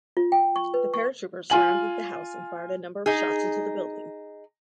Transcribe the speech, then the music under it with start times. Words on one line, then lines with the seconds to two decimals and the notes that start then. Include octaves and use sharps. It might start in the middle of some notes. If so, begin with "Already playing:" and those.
The paratroopers surrounded the house and fired a number of shots into the building.
0.17 F4
0.32 G5
0.56 C#6
0.74 B4
0.94 C#6
1.50 F4 G#5 F#7
3.06 D#4 G#4